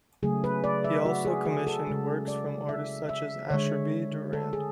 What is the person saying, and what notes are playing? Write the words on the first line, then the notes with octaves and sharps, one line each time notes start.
He also commissioned works from artists such as Asher B. Durand.
C#3 F#3 A3 G#4
B4
D5
E5
F#4
G#4
G#4
A4
C#3 G#3
D5
E5
E5
D3 G#3 C#5
A4
G#4